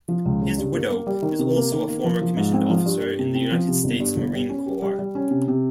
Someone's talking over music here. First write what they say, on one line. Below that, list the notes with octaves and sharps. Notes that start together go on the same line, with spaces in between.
His widow is also a former commissioned officer in the United States Marine Corps.
F3
C#2
C#3
G2
A#3
A#3
G3
D#3
C3
A#3
D#3
A#3
F3
F3
G#2
C4
F3
G2
G2
C3
C4
F3
C3
G1
G2
G1
G3
C#4
G4
G3
G3
C#4
C3
C3